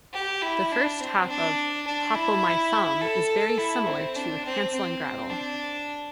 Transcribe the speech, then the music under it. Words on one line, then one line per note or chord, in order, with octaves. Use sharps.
The first half of "Hop-o'-My-Thumb" is very similar to "Hansel and Gretel".
G4
E4
D4
C4
D4
D4
E4
A4
E4
C4
D4
C4
C4
D4